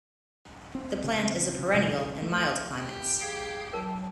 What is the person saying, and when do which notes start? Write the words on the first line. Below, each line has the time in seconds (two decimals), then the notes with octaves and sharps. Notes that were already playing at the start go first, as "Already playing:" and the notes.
The plant is a perennial in mild climates.
0.75 C4
1.04 C#3 C4
1.59 C#3
1.74 B2 E3 F3 G#3
1.98 C#3
2.22 A3
2.76 G4
3.21 G#4 F5 G#6
3.73 F#3 A#4 A5